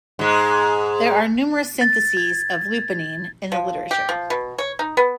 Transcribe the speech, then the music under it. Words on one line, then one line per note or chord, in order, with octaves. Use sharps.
There are numerous syntheses of lupinine in the literature.
G#2 G#3
A6
G#6
F3
G4
F3
B2
C#5
D#4
B3